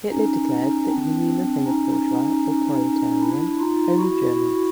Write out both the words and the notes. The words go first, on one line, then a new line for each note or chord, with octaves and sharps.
Hitler declared that he knew nothing of bourgeois or proletarian, only Germans.
C#4 D#4
C4 D4
C#4 D#4
D4 E4
D#4 F4
E4 F#4